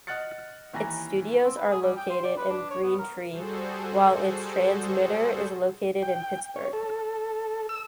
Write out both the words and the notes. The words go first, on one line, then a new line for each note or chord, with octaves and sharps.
Its studios are located in Green Tree, while its transmitter is located in Pittsburgh.
D#5 F#5 F6 F#6 A6 C#7
D#2 E3 G#5 A#5 A#6
C4
B4
G#4
G3
G5
C5
D5
B4
D4
C#5
B3
A#4
G3 F#4 G#4 A4 C5
G5
C#5
A4
E6